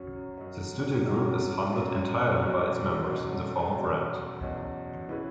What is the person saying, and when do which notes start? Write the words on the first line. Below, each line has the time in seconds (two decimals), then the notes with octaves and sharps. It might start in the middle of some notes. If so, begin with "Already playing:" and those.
The studio group is funded entirely by its members, in the form of rent.
Already playing: F#2 F#3 C#4
0.38 F#2 F#3 C#4
1.06 F#2 F#3 C#4
1.73 F#2 F#3 C#4
2.39 E2 B2 F#3 C#4
3.07 E2 B2 F#3 C#4
3.73 E2 B2 F#3 C#4
4.41 E2 B2 F#3 C#4
5.09 E3 C#4 E4 G#4 B4